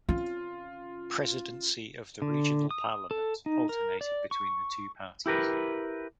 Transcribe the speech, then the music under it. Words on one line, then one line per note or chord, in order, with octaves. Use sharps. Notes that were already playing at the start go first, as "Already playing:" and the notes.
Presidency of the regional parliament alternated between the two parties.
C4 C#4 F4
D3
D#6
A4
D#4
A#4
D5
C#6
E4 G4 A#4 B4